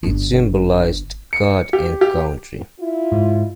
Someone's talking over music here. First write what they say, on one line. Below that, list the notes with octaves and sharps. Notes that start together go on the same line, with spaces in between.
It symbolized God and Country.
G1 D4
C#7
G4
G4
E4 F4
G#2